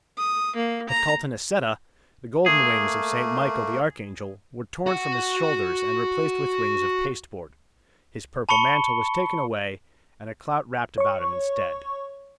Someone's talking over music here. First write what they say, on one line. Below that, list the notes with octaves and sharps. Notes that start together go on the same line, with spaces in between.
At Caltanisetta the golden wings of St. Michael the Archangel were torn from his shoulders and replaced with wings of pasteboard; his purple mantle was taken away and a clout wrapt about him instead.
D#6
A#3
A#5
A3 A#3 G#4
F#4 F#5
A5 B5 C#6 C#7 G7
C#5 C#6